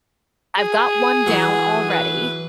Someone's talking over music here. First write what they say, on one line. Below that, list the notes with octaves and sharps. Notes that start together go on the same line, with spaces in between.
I've got one down already,
G#4
E3 F#3
B4